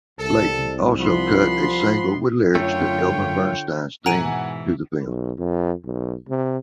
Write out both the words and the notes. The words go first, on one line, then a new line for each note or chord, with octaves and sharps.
Leyton also cut a single with lyrics to Elmer Bernstein's theme to the film.
C2 A4 A5
F3 B3 B5 C6
F#2 D3 A3 F4 C#5 G5
G#2 B2 E3 F#5 G#5 A#5 D7 D#7
B1
F2
B1
C3